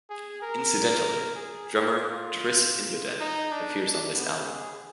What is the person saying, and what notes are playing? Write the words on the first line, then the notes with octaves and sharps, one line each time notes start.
Incidentally, drummer Tris Imboden appears on this album.
G#4
A#4
G#4
F4
D#4
D4
D4
B3
G#4